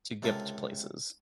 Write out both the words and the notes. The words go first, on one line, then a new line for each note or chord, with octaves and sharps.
to get to places.
C#2 C3 A4 A#4 A5